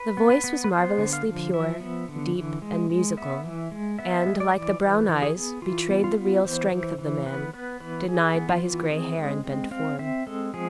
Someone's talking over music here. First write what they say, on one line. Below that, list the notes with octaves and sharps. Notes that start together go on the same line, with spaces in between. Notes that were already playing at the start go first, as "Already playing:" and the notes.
The voice was marvelously pure, deep, and musical, and, like the brown eyes, betrayed the real strength of the man, denied by his gray hair and bent form.
Already playing: B4
B3
B4
B3
B4
B3 C5
D3
F5
F3
F3 E5
B3
D3
E3
G#3
G#3
B3 E5
E3
G#3
B3 E5
G#3
D5
E3
E3 B4
E3
G#4
B3
E3 F4
B3
F4
B3
E3 C5
E3
E3
B3 B4
B3 B4
E3 B4
E3 G#4
B3
F4
E3
C4 G#4
G#3
C4
C4 F5
C4 E5
G#3 A4
F3 G#4